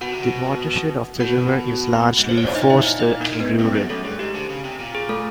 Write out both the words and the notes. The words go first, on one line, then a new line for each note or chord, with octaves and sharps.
The watershed of the river is largely forested and rural.
B2 F#4 F#5
C3
B2
B2 F#4 F#5
G#2
A2 C5
A#2 C#5
D5
D#4 D#5
E4 E5
D#4 D#5
D#4 D#5
A#3 A#4
B3 B4
G2 C#4 C#5
F#2 G#4
F#2 A3 A4
G2 G#4
G#2 G4
D3
C#3
C3
A#2
G#4
A3 A4